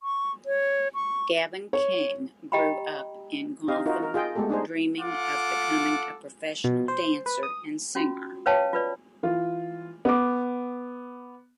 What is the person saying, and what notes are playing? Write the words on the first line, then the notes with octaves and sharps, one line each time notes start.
Gavin King grew up in Gotham dreaming of becoming a professional dancer and singer.
C#6
C#5
C#6
C#5
G4 D#5 G5 A#5 B5
C4 D#4 G4 D#5 F5
D#4 F4 F#4 A#4
A#4
F4 G#4 D#5 G5
G#3 A3 B3 G4 A4
D4 D#4 G#4 C5
F4 A4 F#5 D6
B2
C5
B4
D#6
C#4 F4 F#4
B4 C#5 F5 G5 A5
F4 B4 D5
E3 F4
B3 D6